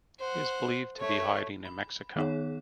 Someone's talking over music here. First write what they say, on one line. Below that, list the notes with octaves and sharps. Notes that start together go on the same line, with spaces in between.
He is believed to be hiding in Mexico.
C5 F#5
A3 C#5
B5
D#3 B3 D#4 G#4 C#5